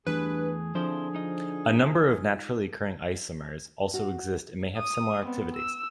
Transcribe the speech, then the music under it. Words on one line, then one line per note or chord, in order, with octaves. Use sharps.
A number of naturally occurring isomers also exist and may have similar activities.
E2 G2 E3 A3 G#4 B4
D3 F3 C4 E4 C5
D#4 F4 D#5
F#4
D#6
B3 C4
E6